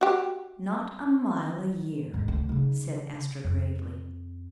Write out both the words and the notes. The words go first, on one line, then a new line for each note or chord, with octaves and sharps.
"Not a mile a year," said Estra gravely.
F#4 G4
E2 G#2
D2
C#3 D#4
F2